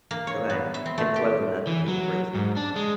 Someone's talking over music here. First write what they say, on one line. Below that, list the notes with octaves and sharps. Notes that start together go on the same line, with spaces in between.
Okay? And throw them without your hand freezing.
A#3
C#5
B3
E5
C4
A3
G4
E3
F#3
G#2
D4
G#3